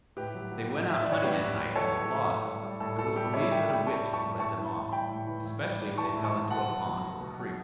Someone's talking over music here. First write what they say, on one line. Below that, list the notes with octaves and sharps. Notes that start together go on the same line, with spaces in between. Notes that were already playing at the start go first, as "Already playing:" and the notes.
If they went out hunting at night and were lost, it was believed that a witch had led them off, especially if they fell into a pond or creek.
A2 G4 B4
F#3
F#3
A2
A2 E5
F#3 D5
C#5
F#3 G4 B4
A2
A2
F#3 A4 C#5
F#3
A2
A2
G3
G3
A2 A4
A2 A4
G3 G4
G3 C#5 E5
A2 E5 G5
A2 G5 B5
G3 A5 C#6
G3
A5 C#6
A2
A2 A5 C#6
E3
A2
G3 G5 B5
A2
E3
A2
G3
A2
E3 A5 C#6
A2
A5 C#6
G3
B2 F#5 A5
F#3
F#3
B2
B2
F#3